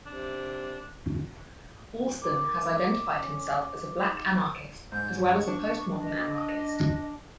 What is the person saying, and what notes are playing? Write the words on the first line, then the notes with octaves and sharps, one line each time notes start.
Alston has identified himself as a black anarchist as well as a postmodern anarchist.
C3 D4
D#3 D6
C#4
D#4
G#2 G6
G2 C#6
D4
D#5